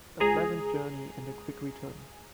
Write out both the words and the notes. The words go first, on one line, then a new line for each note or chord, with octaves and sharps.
A pleasant journey and a quick return.
C#2 G#4 A#5